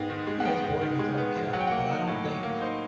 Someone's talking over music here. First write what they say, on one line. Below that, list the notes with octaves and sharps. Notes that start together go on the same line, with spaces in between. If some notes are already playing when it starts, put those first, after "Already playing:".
yeah, it's boring as all get up, but I don't think
Already playing: G#2 G#3 B3 G5
D#3
G#3
F#5
B3 G5
G#2
D#3
G#3
B3
G#2
F#3 F#5
G5
A#3 F#5
D#4
A2
F#3
A#3
D#4 C5